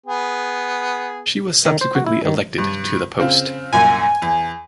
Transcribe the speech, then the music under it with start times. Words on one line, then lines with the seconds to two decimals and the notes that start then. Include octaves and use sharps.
She was subsequently elected to the post.
0.06 B3 G#4
1.65 D#3
1.81 C5
1.95 F#4
2.06 E4
2.25 D#3
2.58 G2
3.19 C#3 C4 F4
3.73 C2 F#2 A#2 G#5
4.22 E2